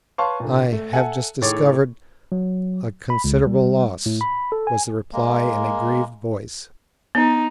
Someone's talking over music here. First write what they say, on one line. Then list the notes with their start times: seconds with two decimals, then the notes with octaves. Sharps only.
"I have just discovered a considerable loss," was the reply in a grieved voice.
0.18 B4 C#5 F5 A5 C6 C#6
0.40 A#2 D3
0.72 A3
0.93 A4 E5 F#5 G#5
1.42 A2 D#3 G#4 C#5 D6 A6
2.32 F#3
3.10 B5
3.24 C#2
3.46 G3
4.06 A2
4.21 B5
4.52 A4
4.67 G#5
5.13 G#3 A#3
7.15 B3 D#4